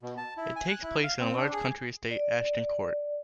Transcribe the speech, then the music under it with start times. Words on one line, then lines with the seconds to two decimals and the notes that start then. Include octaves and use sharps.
It takes place in a large country estate Ashton Court.
0.03 B2
0.18 A5
0.37 E4
0.56 G#5
0.68 F#6
0.83 E4
1.04 F5
1.20 C4
1.37 D4
1.53 G#4
2.11 D5